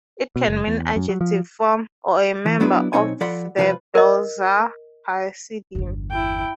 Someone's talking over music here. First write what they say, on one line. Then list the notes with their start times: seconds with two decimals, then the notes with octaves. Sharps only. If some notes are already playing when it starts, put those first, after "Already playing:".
It can mean adjective form, or a member of the Belzer Hasidim.
0.36 B2
0.48 F#1
0.67 E2
0.96 F#2
1.09 F#3
1.21 F3
2.46 E3
2.60 F#3 B3 D4 E4 B4
2.93 B1 G2 C4 D#4 C#5 G#5
3.21 F3 A4 D5 F#5 B5 C6
3.57 C2 F3 A4 B4
3.95 A#4 D#5
5.75 G1 E2
6.11 E4 G5